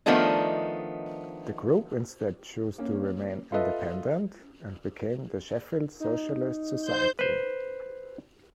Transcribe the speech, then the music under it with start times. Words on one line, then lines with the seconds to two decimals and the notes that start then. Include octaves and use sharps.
The group instead chose to remain independent, and became the Sheffield Socialist Society.
0.06 D#3 F3 A3 B3 D4 D#4
2.78 A#3 C#4
3.52 F4 A4 B4 D#5 E5
6.00 D#4
6.82 C5 G6
7.19 B4 C5